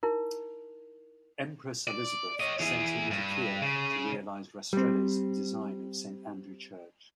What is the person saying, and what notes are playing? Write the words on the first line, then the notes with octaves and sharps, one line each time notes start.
Empress Elizabeth sent him to Kiev to realize Rastrelli's design of Saint Andrew Church.
D#4 E4 A#4
D5
C#5 D#5
E3 G#4
G2
C#3
G3 C4